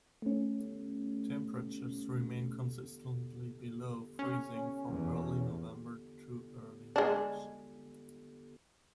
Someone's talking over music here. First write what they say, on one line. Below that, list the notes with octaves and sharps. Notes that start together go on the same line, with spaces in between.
Temperatures remain consistently below freezing from early November to early March.
A3 C#4
C#4
E2
G#3 D4